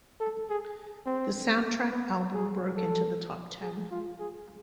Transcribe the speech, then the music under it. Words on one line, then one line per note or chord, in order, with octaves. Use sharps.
The soundtrack album broke into the top ten.
A4
G#4
C4
B3
G#4
A4
G#4
F4
G#4